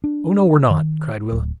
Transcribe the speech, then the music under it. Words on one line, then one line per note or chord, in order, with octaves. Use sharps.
"Oh no, we're not!" cried Willis.
D4
D#3
D1